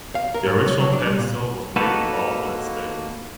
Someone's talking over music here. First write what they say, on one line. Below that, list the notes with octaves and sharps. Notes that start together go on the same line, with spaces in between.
The original pedestal was made of marble and stone.
F5
A#4
G#2
F#3
F#3
D4
G3
A#2
A#3 D#4 F#4 A4 B4